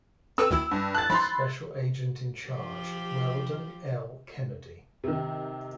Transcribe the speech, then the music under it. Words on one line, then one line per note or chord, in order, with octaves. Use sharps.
Special Agent in Charge Weldon L. Kennedy.
C4 A4 B4 E6
D2 D#3 E4
G2
A5 F#6 A6
F3 D#4 B5 C6
F3 G4
C3 D#3